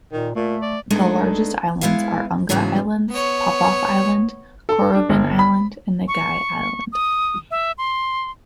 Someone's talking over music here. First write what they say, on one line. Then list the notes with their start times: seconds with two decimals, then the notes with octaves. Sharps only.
The largest islands are Unga Island, Popof Island, Korovin Island, and Nagai Island.
0.12 A#2 D#3
0.36 A#2 A3
0.62 D5
0.90 G#3 A3 B3 D4 D#4
1.81 G#3 B3 E4 B4 F5
2.49 G#2 C#3 E3 F#3 B3 G#4
3.10 B3 C#5
4.69 A4
4.95 D4
5.09 G1
5.39 B5
6.08 C#6
6.92 D#6
7.51 E5
7.78 C6